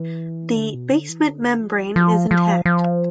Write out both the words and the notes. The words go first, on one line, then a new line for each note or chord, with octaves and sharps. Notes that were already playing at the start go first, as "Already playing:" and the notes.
The basement membrane is intact.
Already playing: E3
D3
B2
D3
E3
D3
F3
F3
F3
F3